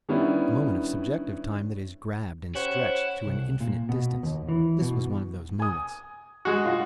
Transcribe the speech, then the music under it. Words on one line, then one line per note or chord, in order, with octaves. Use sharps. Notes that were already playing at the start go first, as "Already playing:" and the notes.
A moment of subjective time that is grabbed and stretched to an infinite distance. This was one of those moments.
D#3 G3 B3 C#4 D4 E4
C#4 E4 G4 C5 F#5
C2
A#2
B2
D#2
E3
B2
G#5 D#6
G#3 F#4
F4 F#5